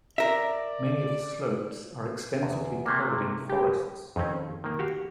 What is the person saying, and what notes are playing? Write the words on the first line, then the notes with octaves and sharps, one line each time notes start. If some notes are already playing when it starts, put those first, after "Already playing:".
Many of the slopes are extensively covered in forests.
A#4 D5 E5
E2
C3 A3 A#3
G4
F2 D#3 C4 C#4
D#3 A#3
F#4 G4 F5